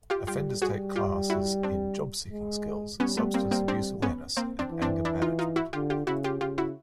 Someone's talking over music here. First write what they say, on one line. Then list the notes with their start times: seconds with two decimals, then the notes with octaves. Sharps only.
Offenders take classes in job-seeking skills, substance-abuse awareness and anger management.
0.10 F4 G4
0.27 G3 F4 G4
0.61 G3 F#4 G#4
0.96 F4 G4
1.30 E4 F#4
1.63 C4 D4
2.31 G#3
3.00 G3 B3 C#4
3.17 A3 B3
3.34 A#3 C4
3.51 A#3 C4
3.68 C4 D4
4.02 B3 C#4
4.37 A#3 C4
4.59 C4 D4
4.71 E3
4.82 C4 D4
5.05 D4 E4
5.22 D#4 F4
5.39 D#4 F4
5.56 E4 F#4
5.73 D3 F4 G4
5.90 F4 G4
6.07 C#3 E4 F#4
6.24 F4 G4
6.41 C#3 F4 G4
6.58 E4 F#4